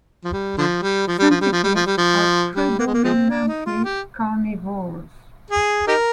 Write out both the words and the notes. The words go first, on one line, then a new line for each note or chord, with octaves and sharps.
Centipedes are predominantly carnivorous.
F3
G3
D3 F3
G3
F3
G3
F3
G3
F3
G3
F3
G3
F3
G3
A#3
G#3
A#3
F3 G#3 C4
D4
D#4
F4
G4
G#4
D#4 G4 A#4